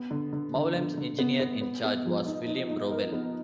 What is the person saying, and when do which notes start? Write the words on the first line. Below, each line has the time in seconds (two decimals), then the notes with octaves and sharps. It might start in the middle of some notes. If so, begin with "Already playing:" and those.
Mowlems' engineer in charge was William Rowell.
Already playing: B3
0.11 D3
0.33 D3
0.55 D3
0.76 D3
0.98 D3
1.19 B3
1.40 B3
1.62 B3
1.84 B3
2.06 F3
2.26 D#4
2.48 D#4
2.70 D#4
2.91 A#4
3.12 B3